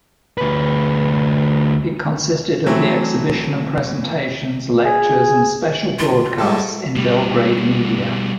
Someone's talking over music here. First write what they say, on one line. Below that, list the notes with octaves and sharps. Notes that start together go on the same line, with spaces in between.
It consisted of the exhibition and presentations, lectures and special broadcasts in Belgrade media.
D2 B4
E3 F#3 A3 C4
G#4
F4
G3 G#3 A4
B2 G3